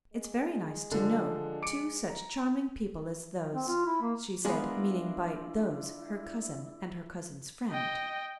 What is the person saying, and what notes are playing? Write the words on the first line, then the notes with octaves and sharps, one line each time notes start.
"It's very nice to know two such charming people as those," she said, meaning by "those" her cousin and her cousin's friend.
G#3
D3 F3 D4
D6 C#7 D7
A#5
C4
F4
E4
A#3
G#3 B3 D4 E4 F4 G#4 A#4
D#5 G5